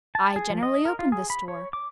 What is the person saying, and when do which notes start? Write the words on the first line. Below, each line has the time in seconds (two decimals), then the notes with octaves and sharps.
I generally opened the store.
0.15 A5
0.36 G#4
0.50 F3
0.63 D#5
0.85 A#4
0.99 F4
1.12 G#4
1.30 B5
1.48 C#5
1.73 D6